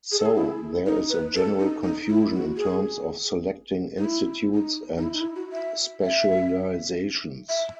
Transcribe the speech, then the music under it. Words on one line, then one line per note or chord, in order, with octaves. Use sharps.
So there is a general confusion in terms of selecting institutes and specializations.
G#4
A4
G#4
E4
D#4
B4
A4
D#4
D#4
E4
F#4
G#4
D#4
E4
D#4
D#4
E4
D#4
E4
F#4
E5
E5
E5